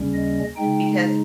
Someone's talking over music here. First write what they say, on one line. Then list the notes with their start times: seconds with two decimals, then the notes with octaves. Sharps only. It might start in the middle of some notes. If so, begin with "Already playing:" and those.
because he
Already playing: D#2 C#3 G3 C#4
0.14 D#5
0.56 C#3 G#3 D#4 G5